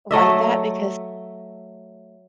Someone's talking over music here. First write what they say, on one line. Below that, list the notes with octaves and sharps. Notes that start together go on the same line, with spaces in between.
like that? Because
F#3 A3 D#5 E5